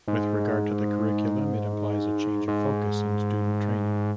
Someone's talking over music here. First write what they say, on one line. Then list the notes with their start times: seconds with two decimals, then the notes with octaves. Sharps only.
With regard to the curriculum it implies a change of focus in student training.
0.08 G#2
2.48 G#2